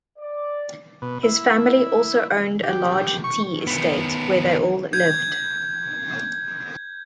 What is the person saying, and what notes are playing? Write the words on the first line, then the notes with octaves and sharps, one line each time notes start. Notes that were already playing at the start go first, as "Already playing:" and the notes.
His family also owned a large tea estate, where they all lived.
D5
B2
E4
G4
C#6
D#3 B3
G6 G#6